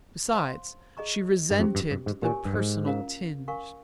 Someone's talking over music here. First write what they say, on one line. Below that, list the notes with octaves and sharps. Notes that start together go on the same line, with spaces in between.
Besides, she resented the personal tinge.
C5 F5 C6
G#4 D#5 A#5 C#6
G2
F2 C#4 G4 C5 G5
G2
G2
G#2
A#2 G4 A#4 C#5 G#5 C#6
G2
G#2
C#4 F4 A#4 F5 A#5
A#4 F5 G#5 C#6